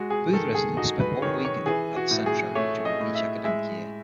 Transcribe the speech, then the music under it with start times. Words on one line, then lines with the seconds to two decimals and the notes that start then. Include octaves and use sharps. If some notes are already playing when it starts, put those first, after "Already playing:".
Booth Residents spend one week at the Centro during each academic year.
Already playing: G#3 F#4
0.10 G#4
0.33 D#3 A4
0.55 G#4
0.77 D#4 F#4
1.00 B4
1.22 D#3 C#5
1.45 C#5
1.66 E3 G#4
1.96 F#4
2.11 A2
2.26 G#4
2.55 A3 C#5
2.85 D#5
3.00 A2
3.15 E5
3.44 G#3 E5